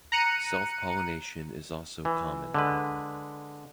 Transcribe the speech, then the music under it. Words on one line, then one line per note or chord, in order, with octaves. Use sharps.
Self-pollination is also common.
A#5 F#6 C#7 D#7
E3
D3 G#3 B4